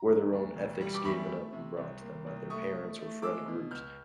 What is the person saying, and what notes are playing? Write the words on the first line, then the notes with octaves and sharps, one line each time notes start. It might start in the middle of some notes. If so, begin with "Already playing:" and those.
or their own ethics given up and brought to them by their parents or friend groups,
Already playing: A#5
E2
D2
E1
G3
D6
E2 B5 C#6
A3
C3
C2
A#3
C2
A3 C#6 D#6
A3
A3
G#3 D6 E6
B2
C#2 F6 G6